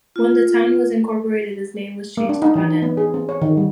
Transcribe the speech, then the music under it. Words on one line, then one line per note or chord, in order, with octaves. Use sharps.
When the town was incorporated its name was changed to Paden.
F4
A#3
D4
D#4
E3
D#4
B3
G#4
C4
C#5
D#3
G3